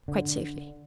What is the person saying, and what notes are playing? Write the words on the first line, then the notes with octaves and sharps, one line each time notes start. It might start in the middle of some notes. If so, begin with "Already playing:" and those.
"Quite safely."
D3